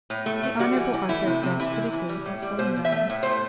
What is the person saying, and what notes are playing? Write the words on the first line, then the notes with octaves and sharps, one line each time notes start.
The Honourable Arthur glanced critically at Celandine.
A2
A3
A3
G3 F#4
E3
E3
A3 E4
C3
C3
E3 E4
C3
E3
G3
A2
G3
B2 C5
B2
E5
A3
A2
A3 C5